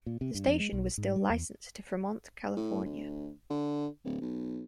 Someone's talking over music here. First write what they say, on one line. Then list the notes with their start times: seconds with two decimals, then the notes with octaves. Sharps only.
The station was still licensed to Fremont, California.
0.06 A#2
0.21 C3
0.35 G2
0.47 F2
0.60 G#3
0.73 B1
0.98 G#2
1.16 G3
1.30 E2
2.56 A2
2.85 D2
3.50 D3
4.05 D1
4.21 B1